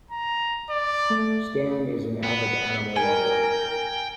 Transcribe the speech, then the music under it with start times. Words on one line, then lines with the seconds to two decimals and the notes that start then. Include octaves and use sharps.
Stan is an avid animal lover.
0.11 A#5
0.70 D5
1.10 A3
2.23 B3
2.96 A#4 G5 G#5